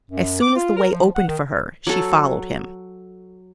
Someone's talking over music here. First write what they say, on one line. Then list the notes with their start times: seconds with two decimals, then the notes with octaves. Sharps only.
As soon as the way opened for her, she followed him.
0.10 F#2
0.41 D6
0.56 F4
0.76 A#4
0.92 F3
1.15 F#5
1.27 D#3
1.87 F#3 A4